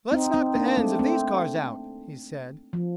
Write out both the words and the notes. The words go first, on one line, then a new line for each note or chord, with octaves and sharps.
"Let's knock the ends of these cars out," he said.
C4 D#4
C4 D#4
A#3 D4
A3 C4
A3 C4
F3